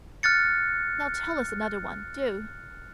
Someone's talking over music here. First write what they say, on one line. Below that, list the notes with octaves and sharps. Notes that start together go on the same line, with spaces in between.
Now tell us another one, do.
F6 F#6 A6 C#7